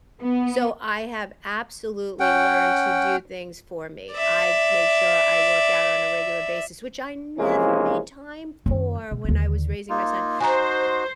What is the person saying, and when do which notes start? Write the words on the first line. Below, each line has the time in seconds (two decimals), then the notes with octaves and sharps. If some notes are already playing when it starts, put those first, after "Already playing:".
So I have absolutely learned to do things for me. I make sure I work out on a regular basis, which I never made time for when I was raising my son,
0.21 B3
2.20 C#4 F#5 G5
4.12 D5 E5
7.38 C3 E3 F3 G#3 A#3 C#4
8.66 F#2 D#3
9.11 B2
9.24 D#2 D3
9.90 A#3 D#4 F4
10.40 D#4 F#4 C5 G#5 A#5